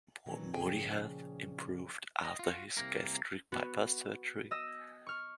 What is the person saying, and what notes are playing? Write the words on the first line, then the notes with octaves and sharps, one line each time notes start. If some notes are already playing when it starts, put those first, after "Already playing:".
Moody's health improved after his gastric bypass surgery.
A#2 D#3 E3 F#3
A#2 C#3 F3 G#4 G5 G#5
D#5
F4 F#4
C2 C3 D#3 A#3 A#4
B3 F#4
D#5 E6 A#6
C#6 F6